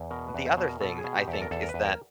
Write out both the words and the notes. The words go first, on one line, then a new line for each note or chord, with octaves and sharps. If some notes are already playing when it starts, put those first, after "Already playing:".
The other thing I think is that
Already playing: E2
B2 A#4
B4
E2
C5
B2
A#4
B2 A4
G#4
B2
G4
E2
A4
A#4
E2 A4
A#4
B4
E2
A#4